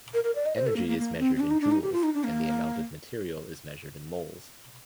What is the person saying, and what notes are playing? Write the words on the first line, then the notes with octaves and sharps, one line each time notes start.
Energy is measured in joules, and the amount of material is measured in moles.
A#4
A#4
D5
D#5
C5
A4
A#3
A#3
A#3
C4
C4
D4
D#4
D4
D#4
G4
F4
D#4
D4
A#3